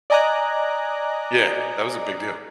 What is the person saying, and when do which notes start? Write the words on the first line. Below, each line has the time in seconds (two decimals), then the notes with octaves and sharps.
Yeah, that was a big deal.
0.10 D5 D#5 G#5 A#5 D6 F#6